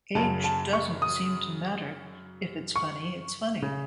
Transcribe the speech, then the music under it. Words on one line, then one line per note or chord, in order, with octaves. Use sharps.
Age doesn't seem to matter - if it's funny, it's funny.
F#2 C#3 A5
A5
C#6
D#6
C#6
C#3